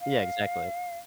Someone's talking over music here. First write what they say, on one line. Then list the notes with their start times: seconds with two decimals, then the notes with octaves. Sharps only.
Yeah, exactly.
0.01 F5